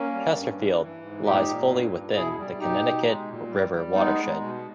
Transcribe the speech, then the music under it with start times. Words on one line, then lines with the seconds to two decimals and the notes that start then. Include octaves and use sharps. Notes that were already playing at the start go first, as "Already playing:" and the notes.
Chesterfield lies fully within the Connecticut River watershed.
Already playing: A#3 C#4
0.13 G3
0.36 G2
0.59 E3
0.81 E3
1.03 G#2
1.25 A#2 D#4 G4
1.48 A#2
1.71 G2
1.93 G2
2.15 B2 E4 G#4
2.38 G3
2.60 B2 D#4 G4
2.82 B2
3.05 G#3
3.28 A#2
3.49 G3
3.72 G3
3.94 G#3 B3 D#4
4.18 G#3
4.40 B2